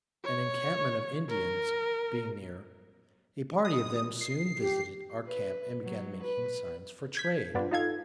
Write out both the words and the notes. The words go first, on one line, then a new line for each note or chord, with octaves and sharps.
An encampment of Indians being near, a party of them soon visited our camp and began making signs for trade.
C#5
A#4
D#6
C7
G4
B4
F#3
B4
G6 G#6 B6
G2 B3 D4 F4
D#4 F4 A4 F5 G#6